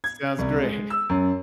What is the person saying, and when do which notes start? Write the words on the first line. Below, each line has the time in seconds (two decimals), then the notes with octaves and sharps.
Sounds great.
0.04 G#6
0.39 C2
0.63 G#3
0.90 E6
1.09 F#2